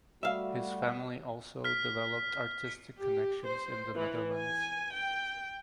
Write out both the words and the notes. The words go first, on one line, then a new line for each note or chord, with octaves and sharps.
His family also developed artistic connections in the Netherlands.
G3 A3 F#4 E5 F5
F6 B6
G4
C5
E3
G#5
G5